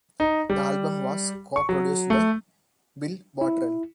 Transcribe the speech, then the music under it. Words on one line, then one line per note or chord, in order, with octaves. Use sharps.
The album was co-produced by Bill Bottrell.
D#4
G3
C#6
F#3
A3
E4